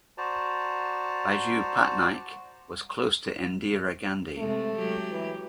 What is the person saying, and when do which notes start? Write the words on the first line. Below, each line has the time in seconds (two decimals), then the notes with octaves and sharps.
Biju Patnaik was close to Indira Gandhi.
0.18 F#4 C5 D5 A5 A#5
4.38 C3 G#3 A3
4.76 F#3 G#3 G4
5.11 E3